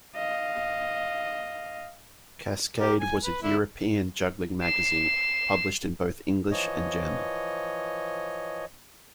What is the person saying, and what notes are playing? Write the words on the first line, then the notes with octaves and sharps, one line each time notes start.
"Kaskade" was a European juggling magazine, published in both English and German.
D#5 F5
G4 A#4 D6
G#5
B4
D3 E4
C7 E7
E3 F3 C#5 D#5